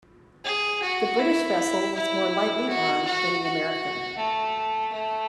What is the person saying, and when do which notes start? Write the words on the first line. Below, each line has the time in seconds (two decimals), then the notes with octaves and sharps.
The British vessel was more lightly armed than the American.
0.45 G#4
0.83 F#4
1.20 E4
1.95 E4
2.69 F#4
3.06 F#4
3.44 F#4
4.18 A3
4.92 A3